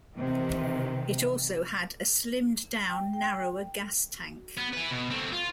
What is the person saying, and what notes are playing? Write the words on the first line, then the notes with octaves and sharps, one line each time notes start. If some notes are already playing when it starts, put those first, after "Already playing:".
It also had a slimmed down narrower gas tank.
C3 D#3 E3
G5
G5
B3
E4 B4
B2
A3 C4
F4